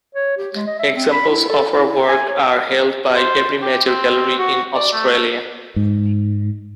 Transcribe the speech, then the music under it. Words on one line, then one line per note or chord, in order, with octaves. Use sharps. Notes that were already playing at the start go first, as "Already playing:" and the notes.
Examples of her work are held by every major gallery in Australia.
C#5
G4
G#3
D#5
E5
C4
B5
E4
A4
E4
G#5
C#5
C5
G4
C4
F#4
D5
A3
G#2